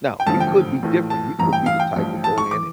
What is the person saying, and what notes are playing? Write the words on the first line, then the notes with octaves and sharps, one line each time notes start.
Now, you could be different, you could be the type that go in and
G5
A1 G2 D3 F3 A5
G5
A#1 A2 E3
A5
A1 G2 E3 A#5
G5
F5
G5
A1 G2 F3
A5
C#6
E3 D6